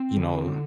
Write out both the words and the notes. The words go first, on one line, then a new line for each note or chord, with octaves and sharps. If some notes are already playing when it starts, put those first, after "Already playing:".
you know,
Already playing: C4
D3
D3